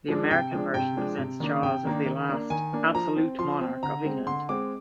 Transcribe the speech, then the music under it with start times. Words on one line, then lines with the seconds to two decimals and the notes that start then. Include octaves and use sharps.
The American version presents Charles as the last "absolute" monarch of England.
0.08 F3 G#3 D4
0.31 C3 G5
0.52 F3 G#3 D4
0.74 C3 G5
0.97 F3 G#3 D4
1.18 C3
1.40 D#3 A#3 D4
1.63 C3 G5
1.85 D#3 A#3 D4
2.06 D#3
2.29 A#3 D4
2.50 D#3 G#5
2.73 A#3 D4
2.95 F3 A#5
3.16 C4
3.39 F3 C6
3.61 C4
3.83 D3 A#5
4.05 G#3 C4
4.27 D3 C6
4.49 G#3 C4 D6